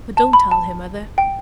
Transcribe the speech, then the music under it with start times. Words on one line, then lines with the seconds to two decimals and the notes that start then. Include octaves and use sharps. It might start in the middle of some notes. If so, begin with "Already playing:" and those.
But don't tell her, mother.
0.17 A5
0.33 B5
0.51 A5
1.18 G5